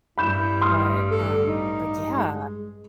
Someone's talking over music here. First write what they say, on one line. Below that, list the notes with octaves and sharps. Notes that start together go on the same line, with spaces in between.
But, um, but, yeah.
A1 G2 E4 B5 G6 E7
C6 D#6 F6
A4
D#4
G#3